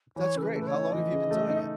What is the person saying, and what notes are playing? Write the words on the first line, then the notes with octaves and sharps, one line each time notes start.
That's great, how long have you been doing it?
E3 C#5
C#3 A4
B4
A3
B4
C#5
D#4
E3 D#5
C#3
A3
D#4